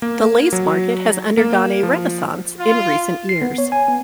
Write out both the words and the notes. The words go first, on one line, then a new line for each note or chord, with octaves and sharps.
The Lace Market has undergone a renaissance in recent years.
A#3
F#3
A#3
F3
F4
C7
B3
C#5
G#5
B3